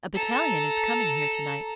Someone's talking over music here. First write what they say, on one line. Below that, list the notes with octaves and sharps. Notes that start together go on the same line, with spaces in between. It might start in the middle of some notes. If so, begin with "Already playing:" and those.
"A battalion is coming here to-night."
A4 A#5